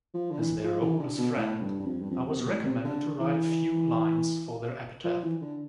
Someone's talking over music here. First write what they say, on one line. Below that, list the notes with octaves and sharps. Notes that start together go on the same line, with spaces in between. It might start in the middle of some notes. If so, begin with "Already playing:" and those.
As their oldest friend, I was recommended to write a few lines for their epitaph.
F3
D3
E3
F3
E3
D3
B2
A2
G2
G2
F2
G2
F2
C3
B2
A2
C3
D3
E3
F3
E3
D3